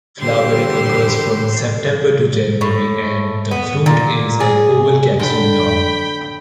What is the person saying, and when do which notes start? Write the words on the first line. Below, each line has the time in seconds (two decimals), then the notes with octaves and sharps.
Flowering occurs from September to January and the fruit is an oval capsule long.
0.18 D3 E3 G3 G4 C5 C6
2.61 A2
3.51 B3
3.86 A#2
4.40 G#4
5.19 D3 G5 B5